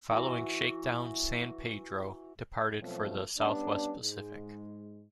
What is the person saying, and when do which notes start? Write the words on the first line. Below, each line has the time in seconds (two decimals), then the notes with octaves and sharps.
Following shakedown, "San Pedro" departed for the Southwest Pacific.
0.11 E3 F#4
2.79 B2 F3 F#3 A3 C4 C#4
3.38 G3 B3 C#4 D4
4.01 G#2 G#3